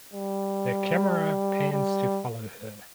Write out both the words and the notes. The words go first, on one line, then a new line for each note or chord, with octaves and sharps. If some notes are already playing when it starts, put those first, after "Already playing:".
The camera pans to follow her.
G3
G3